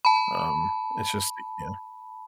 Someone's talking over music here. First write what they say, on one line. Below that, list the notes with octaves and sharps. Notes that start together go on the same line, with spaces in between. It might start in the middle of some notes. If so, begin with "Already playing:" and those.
um, and it's just i Yeah.
A5 B5